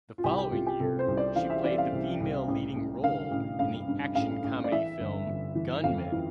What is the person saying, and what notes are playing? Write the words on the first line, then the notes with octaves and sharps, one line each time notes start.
The following year, she played the female leading role in the action-comedy film, "Gunmen".
F4
C2 G4
G4
C2 F4
G4
C3 A4
C5
C2
D5
E3 F5
E5
E3 D5
F5
C2
C2
A1
A1
D3 F5
A1
G2 F5
G2
A1 F5
A1
D5
E3 E5
G1
G1
E3
F2 F5
E3